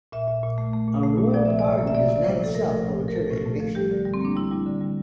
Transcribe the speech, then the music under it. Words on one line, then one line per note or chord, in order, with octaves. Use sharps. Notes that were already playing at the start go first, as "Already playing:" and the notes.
A royal pardon does not itself overturn a conviction.
A#2 E5
A#2
A#2
A3
A3
A#2
A3
A#2
F3 D5
C3 E5
D5
C3
A#3
E5
A#3 D5
C3
D5
F3 C5
C3 A4
A3 A#4
F3
A2
A2
A#4
A3 A4
A2
A3
F3
G3 G4
D3
G3
C4
A#3 D4
G3 E4
G3
D3
G3